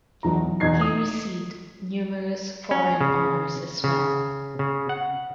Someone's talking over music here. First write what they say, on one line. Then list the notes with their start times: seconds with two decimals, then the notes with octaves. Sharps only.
He received numerous foreign honours as well.
0.23 B1 E2 A#5
0.60 E2 D#4 G#6 C7
0.81 D#6
2.71 C#4
3.01 C#3
3.84 C#3
4.59 C#3
4.89 F#5